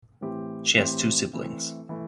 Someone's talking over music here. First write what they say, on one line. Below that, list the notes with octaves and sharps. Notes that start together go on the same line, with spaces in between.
She has two siblings.
A2 E3 C4 G4
A2 E3 C4 G4
E3 A3 C4
E3 A3